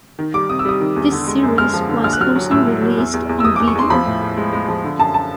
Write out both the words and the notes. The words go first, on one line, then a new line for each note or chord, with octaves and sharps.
This series was also released on video.
D#3
G3 D6
C3 D#6
E6
G3 D#6
D#3
E2
D3
G#3
F#2
G#3 F6
F3
D3
A#1 F6
F#6
F#3 F6
F#3
A2 E6
F#3
F#3
E2
E2
E2
E6
F1 D#6
E2 D6
C#6
E2 C6
F3 B5
A2
A2
G#3
G#3
F3
D3
F#2 A5
A5